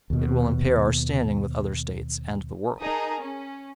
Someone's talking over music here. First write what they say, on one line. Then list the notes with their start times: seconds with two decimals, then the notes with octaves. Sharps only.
It will impair our standing with other States and the world.
0.10 D#2 B2
2.80 D#4 G#4 A#4 A5 A#5 D#6
3.19 C#4